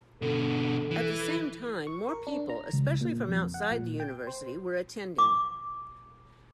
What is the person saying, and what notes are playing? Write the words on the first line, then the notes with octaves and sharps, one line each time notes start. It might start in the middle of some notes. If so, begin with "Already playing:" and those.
At the same time more people, especially from outside the university, were attending.
B2 D3 A4
E3
C#6
A#4
D4
A#5
C#2
A#2
F2
F#5
A#2
G5
C5
D6